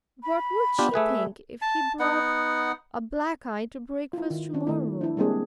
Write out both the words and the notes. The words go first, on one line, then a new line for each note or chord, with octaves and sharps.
What would she think if he brought a black eye to breakfast to-morrow?
B5
B3 D4 F4 G4
A3 G#4 B4 E5
A5
B3 D#4 F#5
E4 F4
D#3
D#3 C4 D4
D#3 A3 E4
D4 E4
G3 G#3 A#3 C4 D4 G#4